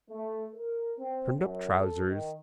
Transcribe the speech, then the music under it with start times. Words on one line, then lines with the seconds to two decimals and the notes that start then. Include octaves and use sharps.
Turnedup trousers.
0.10 A3
0.55 A#4
0.99 C4
1.39 F#2
1.77 A4
2.09 D#3